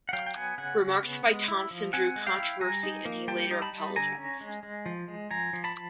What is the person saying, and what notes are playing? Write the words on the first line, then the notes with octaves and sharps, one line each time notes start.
Remarks by Thompson drew controversy and he later apologized.
F#5
F#3 F5 G5
G5
B3 F#5 G#5
C#3 F#5 G#5
C#3
B3
G#3
E4
F3
C4 F#5 G#5
G#3
F5 G5
E4
G3 G#5 A#5
D#4
A#3
G3 G5 A5
D#4
A5 B5
G3
D3 G#5 A#5
C#4
G#3
G#3
F3
G#3
F3 G#5 A#5
F3
A5 B5